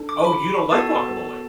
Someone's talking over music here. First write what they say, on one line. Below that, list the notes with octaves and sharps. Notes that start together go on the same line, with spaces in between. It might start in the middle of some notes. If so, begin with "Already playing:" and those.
Oh, you don't like guacamole.
Already playing: D4 A4
D6
B5
B3 F#4 A4 A5